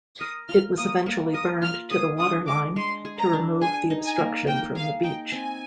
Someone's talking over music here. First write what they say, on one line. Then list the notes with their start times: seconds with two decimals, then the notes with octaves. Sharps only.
It was eventually burned to the waterline to remove the obstruction from the beach.
0.21 A#4 D#6
0.49 F4 F6
0.78 A#3 D#6
1.06 A#3
1.34 A#4 D#6
1.62 F4 F6
1.91 G#4 D#6
2.19 D4 D#6
2.48 G#3 D6
2.76 G#3 C6
3.05 G#4
3.19 A#5
3.33 D4
3.61 G#4 G#5
3.90 D#4
4.05 G#5
4.19 A#3
4.47 A#3 G5
4.75 G#4 F5
5.03 D#4 G5
5.32 C4 G#5